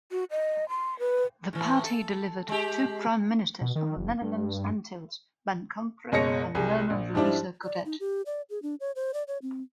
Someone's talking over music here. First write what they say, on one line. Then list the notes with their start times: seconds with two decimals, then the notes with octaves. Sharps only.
The party delivered two prime-ministers of the Netherlands Antilles: Ben Komproe and Mirna Louisa-Godett.
0.11 F#4
0.31 D#5
0.69 C6
0.99 B4
1.53 A2 E3
1.84 A4
2.49 G#3 G4
3.61 B2
3.76 D#3
3.97 F#1
4.22 G2
6.12 F#1 B2 G#3 C#5 A#6 C#7
6.55 C2 G4 G#4
6.90 A#1
7.14 G#2 F3 G3 D4 E4
7.64 D5
7.86 D#4
8.00 G4
8.26 D5
8.50 G#4
8.62 D4
8.80 C#5
8.96 C5
9.14 D5
9.28 C#5
9.42 C4